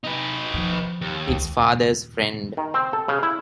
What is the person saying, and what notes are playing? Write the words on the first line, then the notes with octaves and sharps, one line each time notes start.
It's father's friend.
D#4 B4
D#3 F3
D#2
C#2
D#3
C4
A4
C#3
E4